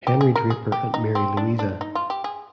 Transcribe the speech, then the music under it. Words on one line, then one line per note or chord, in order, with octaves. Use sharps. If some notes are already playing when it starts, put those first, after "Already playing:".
Henry Draper and Mary Louisa.
G4
G#4
A#4
G#4
G4
D#4
C4
D4
D4
D#4
F4
G4
G#4